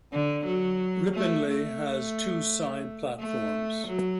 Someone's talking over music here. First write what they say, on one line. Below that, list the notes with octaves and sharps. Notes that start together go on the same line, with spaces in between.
Ripponlea has two side platforms.
D3
F#3
A3
A3
A3
F#3